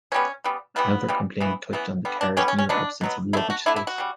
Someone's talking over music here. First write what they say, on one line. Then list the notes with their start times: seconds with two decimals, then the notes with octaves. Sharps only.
Another complaint touched on the car's near absence of luggage space.
0.12 C#3 G3 B3 C#4
0.44 C#3 G3 B3
0.76 C#3 E3 G3 B3
1.08 C#3 E3 G3
1.41 C#3 E3 B3
1.73 C#3 E3 B3
2.05 D3 G3 B3
2.21 D4
2.37 D3 G3 B3 C#4
2.48 C#4
2.59 C#4
2.69 B2 F#3 B3 D4
3.01 B2 F#3 B3
3.33 D3 A3 E4
3.50 F#4
3.66 D3 A3 E4
3.76 E4
3.87 F#4
3.98 C#3 G3